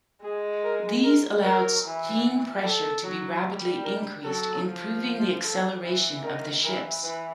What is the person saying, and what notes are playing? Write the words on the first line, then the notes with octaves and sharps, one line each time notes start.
These allowed steam pressure to be rapidly increased, improving the acceleration of the ships.
G#3 G#4
A#4
A#4
F#3 A#4
E3
A4
F#3
G3
A#4
F#3 A4
F3
A4
E3
D#3 A#4
E3 A#4
E3 B4